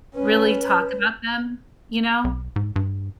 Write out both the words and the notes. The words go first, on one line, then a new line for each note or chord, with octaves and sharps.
really talk about them, you know?
C#4 B4
B1
G#2
G2